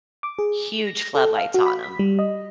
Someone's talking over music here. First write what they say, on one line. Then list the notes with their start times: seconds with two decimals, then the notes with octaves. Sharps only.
huge floodlights on 'em.
0.23 D6
0.39 G#4
0.87 A#6
1.15 A4
1.37 F5
1.54 F#4
1.66 B5
1.84 B6
1.99 G3
2.19 D#5